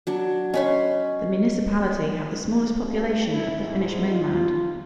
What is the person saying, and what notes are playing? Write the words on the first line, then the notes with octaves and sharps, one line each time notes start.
The municipality had the smallest population of the Finnish mainland.
F#3 D4
C#4 C#5 D#5 B5 C6
G2
E4
G#2
F4